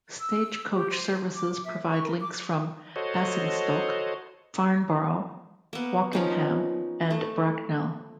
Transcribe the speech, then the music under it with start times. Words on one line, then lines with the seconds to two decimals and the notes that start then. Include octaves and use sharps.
Stagecoach services provide links from Basingstoke, Farnborough, Wokingham and Bracknell.
0.19 E6
0.73 G4
0.90 C5
1.35 D6
1.65 E5
1.88 C#6
2.04 A#4
2.20 D6
2.96 F#4 A4 C5 C#5 D#5
5.73 A#3 B3
6.13 F3 C#4 D#4
7.11 A3